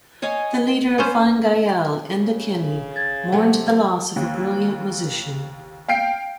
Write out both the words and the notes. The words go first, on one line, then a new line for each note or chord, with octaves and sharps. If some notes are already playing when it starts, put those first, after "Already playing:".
The leader of Fine Gael, Enda Kenny, mourned the loss of a "brilliant musician".
C#5 D#5 F5 G#5
B3 C#4 C5
C#3
G#6 A6
C3 F#3 A3 F#5
D#2
F5 G5 C7 D7